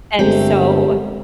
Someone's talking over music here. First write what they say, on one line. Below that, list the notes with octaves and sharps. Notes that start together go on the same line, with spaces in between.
and so,
G1 G#3 A3 C4 G4 A#4